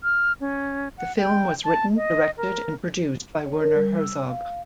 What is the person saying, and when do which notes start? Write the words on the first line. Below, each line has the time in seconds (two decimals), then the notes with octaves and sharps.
The film was written, directed, and produced by Werner Herzog.
0.03 F6
0.41 C#4
0.98 F#5
1.18 G5
1.64 A5
1.96 D#5
2.38 A#4
3.46 C#5
3.61 A#4
3.75 G3
3.99 E6
4.28 F5